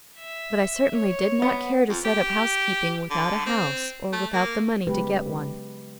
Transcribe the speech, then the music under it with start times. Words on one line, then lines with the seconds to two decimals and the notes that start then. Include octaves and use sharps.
But I certainly did not care to set up housekeeping without a house or without the money to get one.
0.18 E5
0.96 C#5
1.42 B3
1.90 F2
2.05 G4
3.11 D3
3.46 C4
4.13 A3
4.33 A#3
4.87 C#3 F#3 G#3 B3 G4 B4